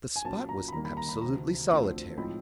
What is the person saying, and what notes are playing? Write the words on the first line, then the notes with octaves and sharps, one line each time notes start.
The spot was absolutely solitary.
G#5
A#2 F#3 A#3 C#4 F4 A5
A#5
B5
D#2 D#3 G3 A#3 A#5
B5
A#5
B5
D2 C3 D#3 A#5
D2 D3 F3 A3 C4
A2 F3 G#3 C4 D#4 B5